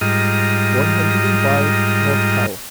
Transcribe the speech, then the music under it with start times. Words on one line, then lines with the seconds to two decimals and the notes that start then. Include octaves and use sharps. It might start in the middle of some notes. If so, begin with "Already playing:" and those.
"One Hundred and Five, North Tower."
0.01 G#2 G3 F4 D#5 A#5